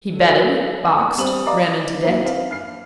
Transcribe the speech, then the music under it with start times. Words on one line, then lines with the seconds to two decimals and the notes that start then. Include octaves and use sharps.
He betted, boxed, ran into debt.
0.15 F#3 A4
1.18 G3 C4 D#6 F7 F#7
1.46 D5 D#5 F5 A#5 D6
2.04 F#3 A#3 D#4 E4
2.21 C4 F5
2.51 F6 C7